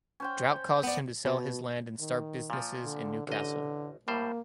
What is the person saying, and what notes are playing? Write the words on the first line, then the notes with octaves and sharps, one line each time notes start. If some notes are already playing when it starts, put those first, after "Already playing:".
Drought caused him to sell his land and start businesses in Newcastle.
C#4 C5 G5
B3 D5
B2
D#3
A#2 F3
D3
A1 D3 D#5
A2 G3 A#3 C5